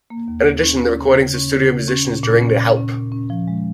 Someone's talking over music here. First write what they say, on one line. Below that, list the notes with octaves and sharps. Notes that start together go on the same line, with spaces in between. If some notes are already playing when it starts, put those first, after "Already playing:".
In addition, the recordings of studio musicians during the Help!
A#3
D#2
D#2
C#4
C#4
C#3
C#3
C#4
C#3
C#3
C#4
A#2
A#2
C#4
A#2
C#4
A#2
C#4
F3
G#3